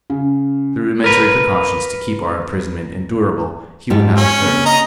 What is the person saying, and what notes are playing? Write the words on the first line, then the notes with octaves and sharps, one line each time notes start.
The rudimentary precautions to keep our imprisonment endurable he would not observe.
C#3
A#4 B4
G#2 F3 G4
C#4
C#3 A#3 C4
D#5 A#5